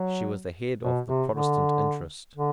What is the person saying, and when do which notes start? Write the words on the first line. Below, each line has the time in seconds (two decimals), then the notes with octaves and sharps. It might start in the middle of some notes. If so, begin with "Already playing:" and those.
She was the head of the Protestant interest.
Already playing: F#3
0.81 B2
1.06 C3
1.33 D3
2.36 D3